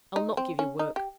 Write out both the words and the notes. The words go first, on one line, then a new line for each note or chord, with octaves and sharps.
I'll not give you work.
D#4
C4
C#4
D#4
G4